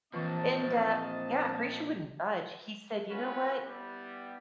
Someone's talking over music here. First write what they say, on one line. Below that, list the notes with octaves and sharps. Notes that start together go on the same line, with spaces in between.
And, uh Yeah, Horatio wouldn't budge. He said, "You know what?
A#2 E3 F3 C4 B4 D#5 A5
C#4 F4 F#4 B4
G3 B3 E4 G4